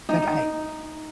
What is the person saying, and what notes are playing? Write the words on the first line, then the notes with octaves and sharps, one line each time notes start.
like I
D#4